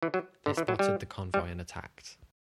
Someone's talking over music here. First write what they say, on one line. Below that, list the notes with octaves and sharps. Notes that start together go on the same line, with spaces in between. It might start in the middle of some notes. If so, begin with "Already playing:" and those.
They spotted the convoy and attacked.
E3
F#3
D3
E3
F#3
G3
G3